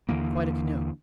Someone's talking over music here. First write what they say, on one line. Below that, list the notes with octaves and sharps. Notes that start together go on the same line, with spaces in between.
"Quite a canoe."
D#2 D3 E3 A#3